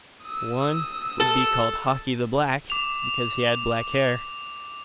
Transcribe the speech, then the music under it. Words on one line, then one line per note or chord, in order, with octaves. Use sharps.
One would be called Haki the Black because he had black hair.
D#6 E6
A4
D6 F7